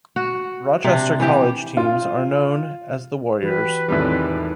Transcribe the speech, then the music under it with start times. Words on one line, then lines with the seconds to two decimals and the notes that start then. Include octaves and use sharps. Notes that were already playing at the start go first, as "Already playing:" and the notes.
Rochester College teams are known as the Warriors.
0.16 F#4
0.84 C3 D4
1.20 E3 G4
1.77 F4
3.43 E3 F#4 G4 B4
3.88 E2 A2 C3 D#3 G3 G#3 F4